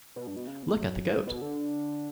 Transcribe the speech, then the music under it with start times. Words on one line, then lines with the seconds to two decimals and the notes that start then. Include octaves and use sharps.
Look at the goat!
0.16 B2
0.27 G2
0.37 B2
0.47 C#3
0.63 B2
0.80 F#2
1.11 G2
1.27 B2
1.42 D3